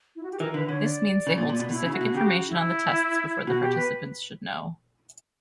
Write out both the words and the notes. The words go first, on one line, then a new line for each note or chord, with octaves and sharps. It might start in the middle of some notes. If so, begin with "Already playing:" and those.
This means they hold specific information on the tests before the participants should know.
E4
F#4
G4
E3 A#4
D3 B4
D3 C#5
D5
C#3
A#2
A#2
B2
B2 E4
C#3
F#4
B2
C#3 G4
F#4
E4
B2 F#4
G4
B4